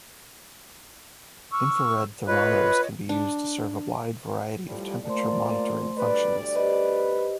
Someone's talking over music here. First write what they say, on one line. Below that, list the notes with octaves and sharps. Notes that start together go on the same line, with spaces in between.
Infrared thermometers can be used to serve a wide variety of temperature monitoring functions.
C#6 E6 F6
F4 B4 C#5 D#5
D4
A2 F3 G3
A3 A#3 F4 C5 D5 C6
D2 G3 B4 D5
G4 B4 C5 D#5